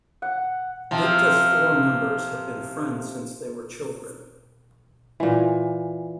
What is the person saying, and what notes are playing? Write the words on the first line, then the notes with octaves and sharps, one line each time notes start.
Dikta's four members have been friends since they were children.
F#5
C3 F3
A#2 E3